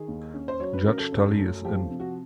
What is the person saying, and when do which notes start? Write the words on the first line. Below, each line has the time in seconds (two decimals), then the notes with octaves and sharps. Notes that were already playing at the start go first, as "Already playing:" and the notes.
Judge Tully is in.
Already playing: D#3 G#4
0.08 D#2
0.34 C#4
0.48 C5
0.60 F#3 C#5
0.73 B4
0.86 C#3 A#4
0.99 A4
1.12 F#2
1.39 A3
1.65 F3 G4
1.91 C3
2.00 F#4